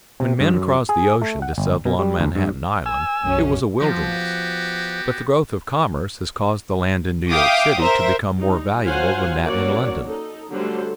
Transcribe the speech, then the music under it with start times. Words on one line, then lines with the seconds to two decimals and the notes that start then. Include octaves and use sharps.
When men crossed the ocean to settle on Manhattan Island, it was a wilderness; but the growth of commerce has caused the land in New York city to become more valuable than that in London.
0.20 C3
0.40 G2
0.54 F#2
0.89 G#4
1.22 A3
1.42 F#5
1.58 G1
1.85 B2
1.99 G3
2.20 D2
2.35 G2
2.86 G#5 E6
3.22 B1 F#2 C#4
3.82 F3 B3 F#4 G4
7.29 E5 F5 G5 D6 D#6
7.81 A#4 C5 E5 A#5
8.37 G3 D#4
8.85 F#3 F4 C5 F5 F#5 G#5
9.45 F#3 A#3 C#4 F#4 C#5 D5
10.06 D#4 A4
10.52 D3 F#3 G3 A3 A4 C5